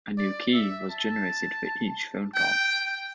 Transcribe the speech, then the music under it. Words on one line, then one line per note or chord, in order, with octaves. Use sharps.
A new key was generated for each phone call.
D5
E5
A5
G5